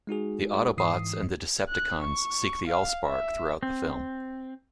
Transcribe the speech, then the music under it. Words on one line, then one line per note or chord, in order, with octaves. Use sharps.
The Autobots and the Decepticons seek the AllSpark throughout the film.
G#3 D#4 F#4 G#4
G#2 E3 D#6 C7
F#6
C#6
F5
E5
C4